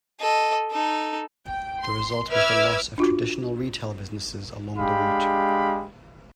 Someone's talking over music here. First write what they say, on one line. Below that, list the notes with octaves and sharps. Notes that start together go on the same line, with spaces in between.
The result was the loss of the traditional retail businesses along the route.
A4 D#5
D#4 A4
G5
C6
B4 E5 D6 E6 F6 G#6
D4 F4 F#4
G#3 D4 G4 F5 B5